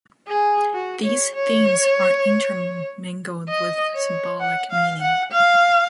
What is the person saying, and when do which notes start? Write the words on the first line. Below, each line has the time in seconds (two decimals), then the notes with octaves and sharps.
These themes are intermingled with symbolic meaning.
0.27 G#4
0.73 F#4
1.04 C#5
1.34 C#5
3.49 D#5
3.94 C#5
4.40 F#5
4.71 F5
5.01 F#5
5.32 F5